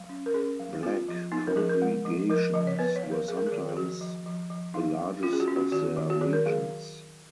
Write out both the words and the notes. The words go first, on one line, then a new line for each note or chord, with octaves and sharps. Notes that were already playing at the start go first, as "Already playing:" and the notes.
Black congregations were sometimes the largest of their regions.
Already playing: F#3
C#4
A#4
C#4 G#4
F#3
B3 F4
F3
B3 D#4
A#4
F3 G#4
A#4
G#3
F3
F3 A#4
F3 D#5
C#5
B3 B4
C#5
F#3
A#4
F#3 G#4
A#4
G#4
D#3
G#4
F3 F#4
F3
F3
F3
F#3 D#4
F#3
C#4 F4
G#4
F#4
C#4
F#4
D#3 F#4
D#3
F#4
D#3 G#4
A#4
F#3 G#4